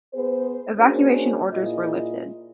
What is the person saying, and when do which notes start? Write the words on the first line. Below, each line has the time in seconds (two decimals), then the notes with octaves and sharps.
Evacuation orders were lifted.
0.14 B3 G#4 C5
0.77 A#3 C#4 D4 F#4 G#4 C5
1.53 A#2 E4 F4 G#4 D#5